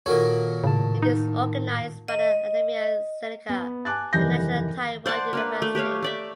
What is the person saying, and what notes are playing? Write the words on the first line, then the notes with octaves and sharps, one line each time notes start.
It is organised by the Academia Sinica and National Taiwan University.
A#2 D#3 F#4 A4 C#5
A2 C#3 A5
D#4
D#5
B3
G#5 A5 D6 F#6 A6
F1 G2 D#3 E3 G6 A#6
C5 D5 F#5 A5
A#3 D4 B4
A3
G4 B4 C#5 F5
A3 D5 E5